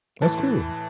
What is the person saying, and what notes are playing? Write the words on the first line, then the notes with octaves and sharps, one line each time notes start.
That's cool.
A2 E3 A5